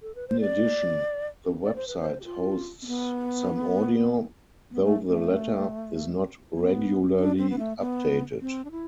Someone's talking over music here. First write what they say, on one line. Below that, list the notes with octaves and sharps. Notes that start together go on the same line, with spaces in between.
In addition, the website hosts some audio, though the latter is not regularly updated.
A4
B4
C5
D5
D5
C5
B4
C5
G4
F4
C4
B3
B3
A3
A3
B3
D4
C4
B3
A3
B3
C4
D4
E4